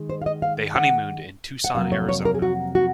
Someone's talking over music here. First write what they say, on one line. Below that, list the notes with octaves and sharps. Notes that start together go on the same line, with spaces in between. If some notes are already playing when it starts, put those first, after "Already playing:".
They honeymooned in Tucson, Arizona.
Already playing: D#3 G#3
C5
F5
D#5
F5
F#5
F#5
F2 C3 F#3 A#3 F5
C#5
C#5
A#4
G#4
F#4
F#4